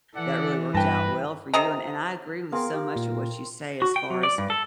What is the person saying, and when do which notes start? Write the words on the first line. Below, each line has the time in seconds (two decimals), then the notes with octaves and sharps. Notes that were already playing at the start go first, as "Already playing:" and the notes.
that really worked out well for you, and and I agree with so much of what you say as far as,
0.16 E3 A4 D5 F#5
0.74 G2 B4 G5 A5 A#6
1.54 C3 A4 D#5 A#5
2.52 B3 C4 G#4 A#4 F5
2.74 G4
2.96 A#2
3.82 F#4
3.96 G5
4.10 F#3
4.23 D5
4.38 G2
4.50 A4